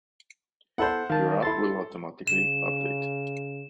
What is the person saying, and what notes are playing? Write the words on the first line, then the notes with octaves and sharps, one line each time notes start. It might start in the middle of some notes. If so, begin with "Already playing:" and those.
Your app will automatically update.
B3 E4 A4 C5 F#5
D#3 F5 A5
E4 A4 C6 A6
C#3 E7